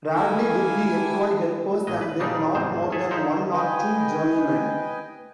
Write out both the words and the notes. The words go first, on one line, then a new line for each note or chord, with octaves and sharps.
Rarely did he employ helpers and then not more than one or two journeymen.
A#3 E4 A4 D#5 F5 G#5
D4 G4
A#1 F#3 D#5
B4
A#2 C#3 G3 D4 D#4
G#1 E2 C3 C5
G#4 A4 E5
F3 D#4 E4 C5
B4 D#5 G5 G#5